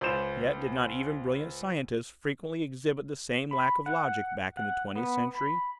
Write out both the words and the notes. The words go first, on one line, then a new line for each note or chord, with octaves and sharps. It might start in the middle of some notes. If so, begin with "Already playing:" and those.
Yet, did not even brilliant scientists frequently exhibit the same lack of logic back in the Twentieth Century?
C#2 C5 G6 E7
B5
F#5
F#5
B3
B5